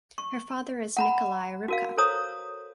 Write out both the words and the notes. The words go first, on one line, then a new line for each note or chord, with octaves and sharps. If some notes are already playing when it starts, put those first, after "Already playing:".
Her father is Nikolay Rybka.
C#6
F#5 A#5 B5
F#4 A#4 F5
A4 C5 C#5 A#5 D#6 E6